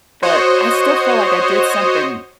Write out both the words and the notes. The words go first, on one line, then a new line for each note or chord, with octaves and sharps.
but I still felt like I did something
F#4 C5 C#5 D#5